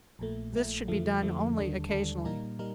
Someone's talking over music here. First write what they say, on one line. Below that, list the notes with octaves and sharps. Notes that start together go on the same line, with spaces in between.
This should be done only occasionally.
A#1 A#2 A3
A#1 A#2 A3
F2 D3 F3 A3
F2 D3 F3 A3
D#2 D3 G3 D4 A4
D#2 D3 G3 D4 A4
A#2 G3 A#3 D#4 A#4
G3 D#4 A#4